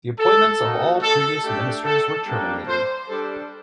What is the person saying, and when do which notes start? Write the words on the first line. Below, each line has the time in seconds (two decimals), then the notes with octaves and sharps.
The appointments of all previous ministers were terminated.
0.20 A4
0.61 A#3 D#4 F#4
1.02 A4
1.44 A3 D4 G4 A4
1.85 A4
2.27 G3 A#3 D4
2.68 C5
3.09 G3 D4 G4 A4